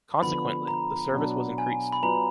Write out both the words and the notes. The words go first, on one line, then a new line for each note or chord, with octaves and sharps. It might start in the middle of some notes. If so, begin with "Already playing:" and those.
Consequently, the service was increased.
D3 F3 B3 B5
A#5
B2 F#3 D4
G#5
B5
F#3 B3 F4 B4 D5 A#5